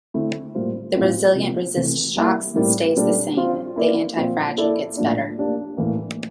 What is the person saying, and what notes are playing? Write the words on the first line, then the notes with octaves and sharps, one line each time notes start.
The resilient resists shocks and stays the same; the antifragile gets better.
D3 A3 C4 E4
A2 G3 A#3 F4 C5
A2 F3 C4 E4
C3 F3 A#3
C3 E3 A3 E4
G3 A#3 E4
A2 G3 C4 E4 A#4
A#2 G3 D4 A4 D5
F3 C4 F4 C5
A#3 E4 A#4 D5
A#2 F3 C4
A#3 E4 A4 D5
A2 F3 A#3 D4
A#3 D4 G4
A2 E3 A#3